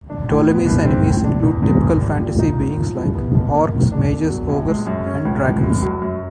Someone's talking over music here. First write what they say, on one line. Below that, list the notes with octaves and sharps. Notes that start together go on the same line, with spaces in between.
Ptolemy's enemies include typical fantasy beings like orcs, mages, ogres, and dragons.
D4
A2
B3
C2
C4
A2
D4
E2
E2
G#1
G3
A#2
D#4
G#1
F3
C2
B3
B1
A#3
A2
D4
E1
F#3
A#1
G#3
F#2
C#4
C#2
C#2
F1
F#3
F#2